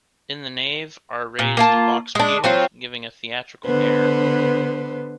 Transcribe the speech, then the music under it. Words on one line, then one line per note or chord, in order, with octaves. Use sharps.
In the nave are raised box pews, giving a theatrical air.
A#2
A#3 F4 A5
G#3 D4
F#3 C4 F4
D3 B3 B4 C5